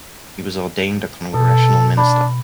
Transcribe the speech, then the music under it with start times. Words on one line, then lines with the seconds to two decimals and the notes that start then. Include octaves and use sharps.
He was ordained a Congressional minister.
1.34 B2 A4
1.97 D4 B5